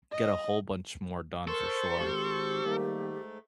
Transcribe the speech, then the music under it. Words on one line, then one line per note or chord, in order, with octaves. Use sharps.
get a whole bunch more done for sure,
D#5
A4 A#4 C5 C#6
G#1 G4
G#2 D#3 G3 A3 A#3